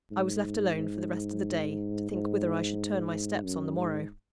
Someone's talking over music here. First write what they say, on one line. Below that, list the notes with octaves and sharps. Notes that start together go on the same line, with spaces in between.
I was left alone for the rest of the day, to think whither I should turn my steps on the morrow.
G#2
G#2
F#2
G#2